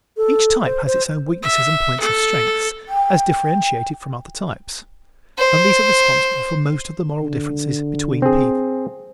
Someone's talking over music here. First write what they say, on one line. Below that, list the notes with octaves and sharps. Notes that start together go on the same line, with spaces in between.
Each type has its own weaknesses and points of strength as differentiated from other types and these are responsible for most of the moral differences between people.
A4
C5
C5
E5
A4
G5
C5
D3
C4 G#4